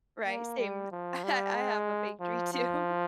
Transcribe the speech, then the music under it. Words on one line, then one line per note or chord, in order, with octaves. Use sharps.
Right. Same. I I have a fake tree too
A#3
G3
F3
G3
G#3
F3
F3